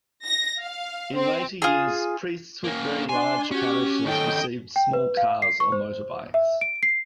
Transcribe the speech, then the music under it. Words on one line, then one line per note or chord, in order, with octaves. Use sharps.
In later years, priests with very large parishes received small cars or motor bikes.
A#6
F5
C4
F4 G#4
A#3 C#4
D4 G#5 C6
C#4 F#4 G4
D#3 C#4 A4 D#5 G5
G5
B4
F5
C7
C#6
C5
E5
D7
C7